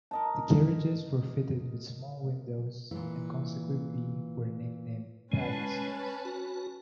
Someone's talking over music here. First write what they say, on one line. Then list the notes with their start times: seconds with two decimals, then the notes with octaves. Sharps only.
The carriages were fitted with small windows and consequently were nicknamed "padded cells".
0.11 A#4 D#5 A5
2.91 A#2 E3
5.32 G#3 C#4 B4 A5
6.25 F#4